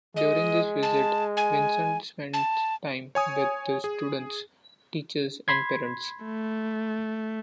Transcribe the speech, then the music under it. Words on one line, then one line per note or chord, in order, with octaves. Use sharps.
During this visit, Vincent spent time with the students, teachers, and parents.
G#3 D#5
A5
G#5
A5
C#5 G#5 D#6
G#4
B5 C6 G#6
A3